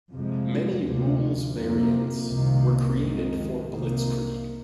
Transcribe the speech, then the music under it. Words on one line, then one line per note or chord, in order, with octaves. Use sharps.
Many rules variants were created for "Blitzkrieg".
F2 C3 F3 G#3
D2 C3 F3
F2 C3 F3 A#3
C2 C3 D#3 A#3
F2 D#3 G#3 C4
C2 C3 D#3 A#3